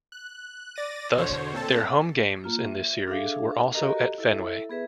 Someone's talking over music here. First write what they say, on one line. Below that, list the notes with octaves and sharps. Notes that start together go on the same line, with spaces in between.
Thus their home games in this Series were also at Fenway.
F#6
D5 A6 A#6 D#7
E2 B2 D3 C5 C#5
A#2 C4 A4 A5
A#3 F4
E5
D4 G#4 A4 E5 F5
F#4 G4 A4 A#4 D#5 A#5
E4 A4 E5
B3 G#4 B4 E5